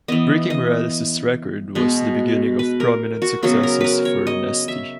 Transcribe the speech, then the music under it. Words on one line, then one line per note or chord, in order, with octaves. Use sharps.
Breaking Morales's record was the beginning of prominent successes for Nesty.
E3 B3 D#5
D#5
B2 G#3 B3
B4
A#4
F#4
C#3 F#3 B3 F#4
A#4
A#4 B4
C#5
D#5
E5